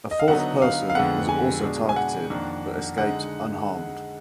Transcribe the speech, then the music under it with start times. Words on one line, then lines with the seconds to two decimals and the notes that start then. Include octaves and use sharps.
A fourth person was also targeted but escaped unharmed.
0.11 D#5
0.19 F5
0.28 D3 F#3 B3 D#4 F#5
0.62 F5
0.90 F5
0.95 F2 D3 G#3 B3 F#5
1.29 G#5
1.63 B2 G#3 D4
1.89 G#5
1.96 F#5
2.30 F2 D#3 A#3 D4
2.98 D3 G#3 D#4 F#5